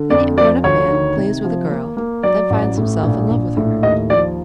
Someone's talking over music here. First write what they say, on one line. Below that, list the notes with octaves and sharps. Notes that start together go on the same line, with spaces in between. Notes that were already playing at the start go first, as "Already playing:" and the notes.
Many a grown up man plays with a girl, then finds himself in love with her.
Already playing: D3
F2 D5
F3 D5
D2 C#5
D#3
C3
F3
A#3
A#3
F#3 D5
A1
A2
A#1
A#1
A2
D#2 D#5
F3 D5